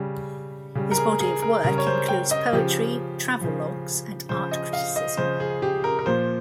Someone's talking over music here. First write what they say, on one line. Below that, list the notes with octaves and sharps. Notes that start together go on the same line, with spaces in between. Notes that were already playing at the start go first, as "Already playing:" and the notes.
His body of work includes poetry, travelogues, and art criticism.
Already playing: C#3 G3
C#3 G3
A#4
G#4
G#4
A#4
C#3 G3 A#4
C#5
C5
G5
D#5
C#3 F3 G4
C#3 F3
C#3 F3 C5
D#5
F5
D#5
C#3 F3 C5
G#4
G4
A#4
A#4
A#2 F3 C5